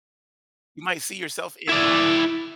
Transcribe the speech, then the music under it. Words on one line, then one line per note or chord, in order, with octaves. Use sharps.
You might see yourself in
E4 D5